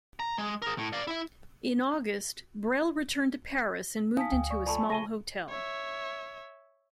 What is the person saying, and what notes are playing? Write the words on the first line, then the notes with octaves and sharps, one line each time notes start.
In August, Brel returned to Paris and moved into a small hotel.
A#5
G#3
G#4 A#4
A2
D5 F5
E4 E5
D#4 F5 G#5 A5 D#6 B6
D2 G5
D5 C#6
F3 A3 D5 G#5 B5 C#6
C#3 A#6 D#7 G7
C#5 E5